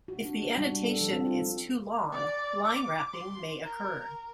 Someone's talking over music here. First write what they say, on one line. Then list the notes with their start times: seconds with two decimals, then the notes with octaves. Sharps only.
If the annotation is too long, line wrapping may occur.
0.08 F#4
0.25 D4
0.42 F#4
0.58 G3
0.72 D4
0.84 A4
1.01 F3
1.13 C4
1.27 F4
2.12 D5
2.65 D6
3.13 C6
3.65 A#4